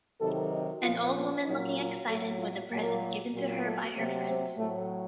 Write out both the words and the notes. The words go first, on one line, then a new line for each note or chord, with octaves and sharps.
An old woman looking excited with a present given to her by her friends.
C3 D#3 F#3 A4
D#4
A#2 F3 F4
C#4
A#2 F#3 D#4
F4
A2 F#3 A4
F4
A#2 F#3 A#3
A#2 F#3
A3
C3 F#3 A#3
C4
A2 F#3 A3